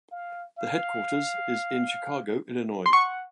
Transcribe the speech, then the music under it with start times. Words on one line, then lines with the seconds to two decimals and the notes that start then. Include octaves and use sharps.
The headquarters is in Chicago, Illinois.
0.12 F5
0.58 F5
2.86 C6
2.93 F#5 C#6